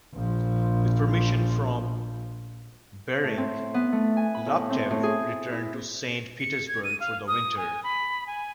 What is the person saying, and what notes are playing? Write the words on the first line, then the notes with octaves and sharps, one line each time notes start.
With permission from Bering, Laptev returned to Saint Petersburg for the winter.
A#1 F3
A2
C4
B3
A3
G#5
B5
A2
C4
A2
G#4
E4
C#7
G#6
D#7
F5
D#6
G#5
B5
G#5